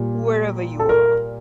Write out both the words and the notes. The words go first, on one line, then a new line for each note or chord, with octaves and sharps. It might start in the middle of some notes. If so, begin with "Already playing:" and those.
Wherever you are!
Already playing: A#2 G3
A4
A#4